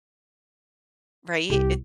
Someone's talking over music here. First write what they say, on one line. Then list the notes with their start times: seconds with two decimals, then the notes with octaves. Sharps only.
Right, it
1.50 C2 G4